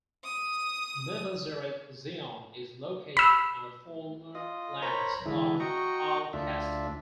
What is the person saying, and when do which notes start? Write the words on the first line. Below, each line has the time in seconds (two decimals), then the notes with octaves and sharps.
Mevaseret Zion is located on the former lands of Al-Qastal.
0.24 D#6
3.17 B5 E6
4.35 F4 D#5
4.82 A#4 C5 C#5 A#5 B5
5.26 D3 E3 G#3 E4
5.60 F#4 D#5 G5 A#5 C#6
6.33 D2 D4 F4 E5